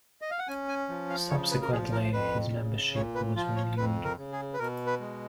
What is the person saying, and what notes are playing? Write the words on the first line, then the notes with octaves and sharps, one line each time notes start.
Subsequently, his membership was renewed.
D#5
F5
F#5
C#4 G#5
G#5
F3
F5
C#3 C#5
B4
A#4
F3 G#4
A#4
F2 B4
C#3
A#2 C#5
B4
F3 F4
C#5
F2 B4
A#4
C#3
G#4
B4
B2 A#4
B4
G#3